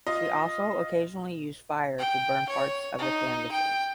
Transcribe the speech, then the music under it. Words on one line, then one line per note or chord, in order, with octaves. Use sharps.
She also occasionally used fire to burn parts of the canvases.
F4 D#5
G5
C#5
D#4
G5